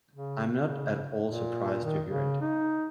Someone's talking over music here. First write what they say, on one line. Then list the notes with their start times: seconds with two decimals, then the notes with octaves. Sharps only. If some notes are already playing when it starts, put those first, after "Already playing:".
I am not at all surprised to hear it.
0.13 C#3
0.59 C#3
1.25 A#2
1.84 D#3
2.08 C#3
2.41 D#4